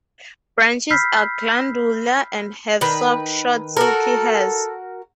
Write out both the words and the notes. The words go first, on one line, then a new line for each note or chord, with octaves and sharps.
Branches are glandular and have soft short silky hairs.
B5 E6 F6 G6 B6 C7
D#3 B4
F#4 A4 A#4